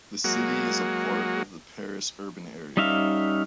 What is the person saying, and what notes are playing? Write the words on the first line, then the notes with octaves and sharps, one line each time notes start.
The city is a part of the Paris urban area.
F#3 G#3 A#3 F#4
G3 C#4 D#4 E5 F5